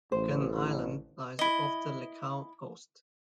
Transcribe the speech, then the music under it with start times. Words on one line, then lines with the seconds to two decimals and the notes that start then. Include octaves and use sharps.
Gunn Island lies off the Lecale coast.
0.12 A1 C5
1.39 E4 D#5